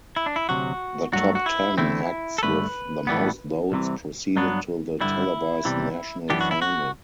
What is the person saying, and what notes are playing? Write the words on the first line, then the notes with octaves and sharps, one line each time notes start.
The top ten acts with the most votes proceeded to the televised national final.
E4
D4
E4
D2 C3 F#3 F#4
G2 F#3 A3 F#4
F#4
E4
E2 D3 A3 C4 E4
A4
G2 D3 A3 B4
A2 E3 G3 B3
C2 C3 E3
G2 F#3 B3 D4
G2 D3 G3 E4
E2 C3 E3 G3
F#2 E3 B3 D4 G4
F#4
E4
F#4